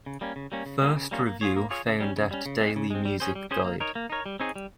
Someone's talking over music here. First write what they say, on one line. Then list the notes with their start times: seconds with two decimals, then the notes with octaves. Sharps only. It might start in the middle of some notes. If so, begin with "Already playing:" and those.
First review found at Daily Music Guide.
0.06 C#3
0.21 G3 A#3 C#4
0.36 C#3
0.52 G3 A#3 C#4
0.66 C#3
0.82 G3 A#3 C#4 F4
0.97 C#3
1.11 G3 A#3 C#4 F4
1.26 A#3
1.41 F4 G#4 C#5
1.56 A#3
1.70 F4 G#4 C#5
1.86 C#3
2.00 G3 C#4
2.16 C#3
2.31 G3 C#4
2.46 C#3
2.60 G#3 C4
2.76 C#3
2.90 G#3 C4
3.05 G3
3.20 C#4 G#4 C5
3.35 G3
3.51 C#4 G#4 C5
3.65 A#3
3.80 D#4 A#4 C#5
3.95 A#3
4.10 D#4 A#4 C#5
4.26 G3
4.40 C4 D#4 G#4 C#5
4.56 G3